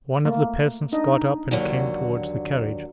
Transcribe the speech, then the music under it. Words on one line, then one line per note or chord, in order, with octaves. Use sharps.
One of the peasants got up and came towards the carriage.
A3 A#3
D4 D#4 D#5
D#2 D3 F#3